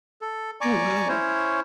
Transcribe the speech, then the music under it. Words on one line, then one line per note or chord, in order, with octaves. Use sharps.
Oh, wow.
A4
D5 G#5 A#5 C#6 D6
C#4 E4 C5 C#5